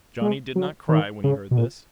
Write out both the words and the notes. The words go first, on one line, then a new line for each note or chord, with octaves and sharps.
Johnny did not cry when he heard this.
G#3
F#3
D#3
C#3
B2
A#2